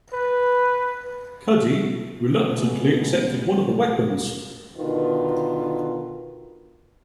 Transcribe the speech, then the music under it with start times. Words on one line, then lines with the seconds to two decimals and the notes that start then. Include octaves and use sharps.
Cuddie reluctantly accepted one of the weapons.
0.13 B4
2.29 A#2 C#3 G#3 A3 B3
4.78 B2 D3 D#3 F4 B4